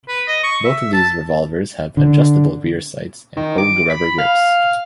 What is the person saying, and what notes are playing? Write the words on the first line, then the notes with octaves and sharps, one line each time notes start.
Both of these revolvers have adjustable rear sights and Hogue rubber grips.
B4
D#5
C#6
E5
A5
D3
D#3
D6
B5
F5